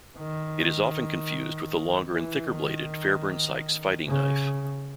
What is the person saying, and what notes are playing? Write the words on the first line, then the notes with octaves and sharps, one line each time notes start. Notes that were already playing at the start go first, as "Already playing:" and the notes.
It is often confused with the longer- and thicker-bladed Fairbairn-Sykes fighting knife.
D#3
E3
D#3
C#3